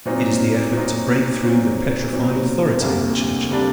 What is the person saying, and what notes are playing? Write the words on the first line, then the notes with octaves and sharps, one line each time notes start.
It is the effort to break through the petrified authority of the Church.
A#2 F#3 C4 D#4
A#2 F#3 C4 D#4
A#2 F#3 C4 D#4
A#2 F#3 C4 D#4
D2 C3 G3 A#3 D4
C3 G3 A#3 D4